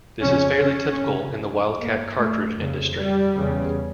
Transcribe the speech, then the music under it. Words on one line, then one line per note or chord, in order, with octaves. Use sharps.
This is fairly typical in the "wildcat cartridge" industry.
F2 C#3 C#4
C#4
F2 C#3
G2 A#3
A3
F2 C#3
G3
E2 C#3